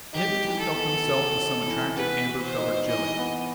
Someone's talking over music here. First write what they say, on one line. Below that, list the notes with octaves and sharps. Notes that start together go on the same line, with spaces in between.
The hypnotist helped himself to some attractive amber-coloured jelly.
D#4 G4
E3
A4
B3
F#4
D#4
E3
B3 B4
F#4
C5
D#4
E3 D#5
B3